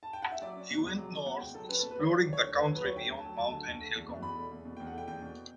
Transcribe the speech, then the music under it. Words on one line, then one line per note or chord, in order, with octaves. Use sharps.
He went north, exploring the country beyond Mount Elgon.
A5
G5
F#5
E5
F#3 D5
C#4
B2
C#2
F#3
C#4
B2 F#5
C#2 G5
F#3 A4
C#4 B4
B2 A4
B4
C#2 C#5
F#3 D5
D2
C#5
D3
D2 B4
F#3 A4
B4
D2 C#5
D3 G5
D2
A5
F#3
D2 A5
D3
D2
A3
E2
B2
E2 B5
A3
E2
B2
E2 G5
F#5
A3 G5
E2 G5
B2